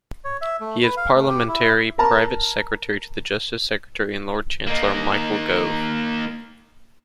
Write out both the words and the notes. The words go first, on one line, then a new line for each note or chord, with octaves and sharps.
He is Parliamentary Private Secretary to the Justice Secretary and Lord Chancellor, Michael Gove.
C#5
E5
A3
B4
F5
A3
G4
E4
A#4 A5 A#5
A#3 D#4